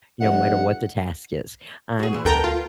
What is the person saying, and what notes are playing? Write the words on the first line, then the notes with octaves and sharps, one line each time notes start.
no matter what the task is, I'm
F1 F#5
F#4 G#4
A#2 E3
D2 B3 A4 A#4 G5 A#5
F4